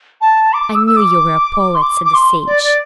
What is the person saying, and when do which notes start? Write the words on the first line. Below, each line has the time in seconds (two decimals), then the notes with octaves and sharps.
"I knew you were a poet," said the sage.
0.21 A5
0.53 D6
0.75 E6
0.86 E6
0.96 D6
1.75 C6
1.82 D6
2.05 D6
2.14 C6
2.47 D5
2.63 D5